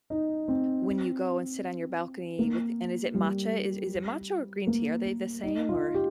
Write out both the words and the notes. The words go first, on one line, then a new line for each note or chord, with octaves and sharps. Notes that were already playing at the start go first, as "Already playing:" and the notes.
when you go and sit on your balcony with and is it matcha, is is it matcha or green tea, are they the same, or
D#4
C4
A#3
G3
A#3
D#4
F4
G4